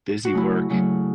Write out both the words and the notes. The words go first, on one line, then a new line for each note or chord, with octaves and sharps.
busy work
F#4
C#3 F#3 A3 E4
C#3 F#3 A3